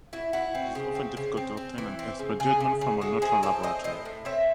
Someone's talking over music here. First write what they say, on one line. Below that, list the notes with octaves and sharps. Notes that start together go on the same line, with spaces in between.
It is often difficult to obtain an expert judgement from a neutral laboratory.
E4 F#4
E4 F#4
C4
C#3
C4
C#3
C4
C4
E3
C4
C#3
C#3 G#4
C#3
C#3
G#3 F#4 A4
A2 G#4 C5
C4 A4 C#5
C4 C5 D#5
A2 C5 D#5
A2
C4 C#5 E5